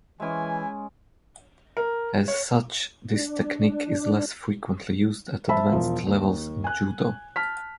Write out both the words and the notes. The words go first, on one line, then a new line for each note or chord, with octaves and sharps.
As such, this technique is less frequently used at advanced levels in Judo.
E3 G#3 C#4 E4 G#5
A#4
C#5
D4
C5 E5 A5 B5
E1 F3
D#2
G#5 F#6
A5 F6 B6